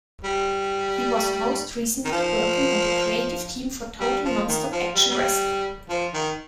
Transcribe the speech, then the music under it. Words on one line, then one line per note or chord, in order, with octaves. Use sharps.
He was most recently working on the creative team for Total Nonstop Action Wrestling.
G3
D#3
F3
G3
F3
D#3
F3
G3
G3
F3
D#3